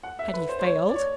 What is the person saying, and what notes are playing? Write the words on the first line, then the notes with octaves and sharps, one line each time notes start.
Had he failed?
F#5
E5
B4
C5
C5
C#5
D5
C#5